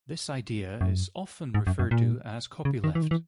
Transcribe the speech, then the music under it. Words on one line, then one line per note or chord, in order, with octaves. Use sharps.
This idea is often referred to as copyleft.
F#2
G#2
F#2
F#2
A#2
C#3
D#3
E3
D#3
E3